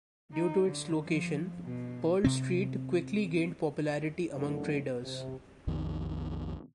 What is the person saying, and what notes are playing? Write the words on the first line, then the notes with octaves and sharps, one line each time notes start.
Due to its location, Pearl Street quickly gained popularity among traders.
D#4
D3
F3
B2
C3 C4
F#2 A2 D3 D#3
C3
B1 F2 B2 D#3